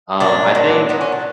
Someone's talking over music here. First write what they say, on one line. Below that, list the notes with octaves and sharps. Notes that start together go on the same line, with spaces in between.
Um, I think
A#2 F#3 D4
A#2 F#3
A#2 F#3 B3
C#4
D4